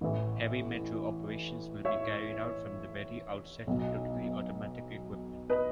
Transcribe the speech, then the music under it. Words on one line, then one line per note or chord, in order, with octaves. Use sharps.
Heavy metro operations will be carried out from the very outset with totally automatic equipment.
A1 A2 E3
C#5 E5
B1 B2
B4 D#5